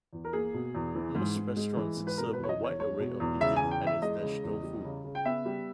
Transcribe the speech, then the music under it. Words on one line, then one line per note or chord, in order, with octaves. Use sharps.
Most restaurants serve a wide array of Indian and International food.
E2
A#4
A#3 G#4
B2
E2
E3
G#2
G#2
G#3
E3
G#2
B4
B2 A#4
B4
E2
C#5
D#5
E2
C#5
G#3 C#5
B2
E2
C#3 E5
G#5
E2
G5
E2
E5
G#3 D#5
C#3
E2
G3
C#3
C#3
G5
B3 E5
G3